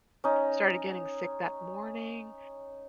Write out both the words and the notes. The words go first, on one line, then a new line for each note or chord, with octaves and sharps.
started getting sick that morning,
C#4 D#4